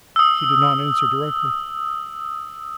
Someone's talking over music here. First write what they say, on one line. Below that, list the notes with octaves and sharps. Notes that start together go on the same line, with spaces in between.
She did not answer directly.
D#6 E6